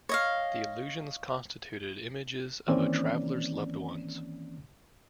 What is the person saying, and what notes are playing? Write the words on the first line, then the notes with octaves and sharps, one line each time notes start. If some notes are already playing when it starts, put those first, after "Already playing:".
The illusions constituted images of a traveler's loved ones.
C#5 D#5 F5
D#3 E3 A#3 C4 C#4 D5